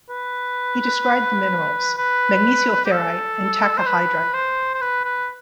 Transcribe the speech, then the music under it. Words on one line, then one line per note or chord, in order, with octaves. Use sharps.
He described the minerals, magnesioferrite and tachyhydrite.
B4
B4
G4
A4
C5
B4
C5
C5
B4
B4